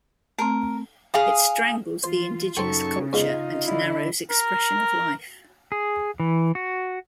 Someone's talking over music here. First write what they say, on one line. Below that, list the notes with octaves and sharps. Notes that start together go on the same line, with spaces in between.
It strangles the indigenous culture and narrows expression of life.
A3 C4 A#4
G#4 F5 D#6
E3 F4 C5
F#2 C#3 D#4 A4 C5 G5 C#6
E2 G#2 D#4 F4 D#5
D3 E4
A#4
G#4
E3
F#4